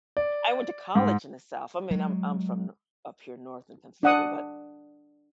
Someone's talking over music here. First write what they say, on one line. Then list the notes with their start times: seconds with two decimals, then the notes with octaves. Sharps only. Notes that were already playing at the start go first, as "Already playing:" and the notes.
I went to college in the South. I mean, I'm I'm from n up here North in Pennsylvania, but,
0.17 D5
0.95 G#2
1.91 F#3 G#3
4.03 D4 F#5 D#6